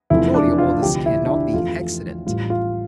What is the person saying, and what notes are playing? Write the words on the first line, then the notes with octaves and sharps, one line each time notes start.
Surely all this cannot be accident!
F1 E2 C3 F3 A3 E4
D4
F4
D2 C3 F3 G4
E4
D4
E4
F2 E3 A3 F4
A1 A2 G3 F4
F4